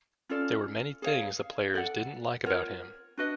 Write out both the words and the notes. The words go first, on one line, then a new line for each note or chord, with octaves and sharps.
There were many things the players didn't like about him.
C#4 F4 A4 D5
G#4 C#5 F5
A4 D5 F#5
F4 A#4 C#5 F#5
D4 F#4 B4 D#5